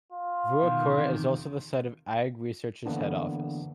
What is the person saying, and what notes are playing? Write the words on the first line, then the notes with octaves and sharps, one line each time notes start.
Ruakura is also the site of AgResearch's head office.
F4
B2 D#3
E2 C3 D#3
D3 E3 A#3 B3 D4